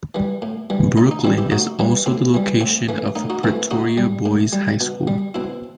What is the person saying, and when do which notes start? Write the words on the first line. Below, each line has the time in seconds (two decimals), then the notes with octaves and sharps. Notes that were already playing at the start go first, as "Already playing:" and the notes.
Brooklyn is also the location of Pretoria Boys High School.
0.15 E3 G3
0.42 A2
0.70 E3 G3
0.97 A2 D#4
1.11 D#4
1.24 E3 G3 C4 E4
1.38 E4 G4
1.51 A2 D#4 F#4
1.79 E3 G3
2.06 A2 C4 E4
2.34 E3 G3
2.61 A2 C4
2.89 E3 A3
3.15 A2 D#4
3.30 D#4 F#4
3.43 E3 A3 C4 E4
3.71 A2 D#4 F#4
3.98 G3
4.26 A2
4.53 G3
4.81 B2
5.07 G3
5.34 B2 C4 E4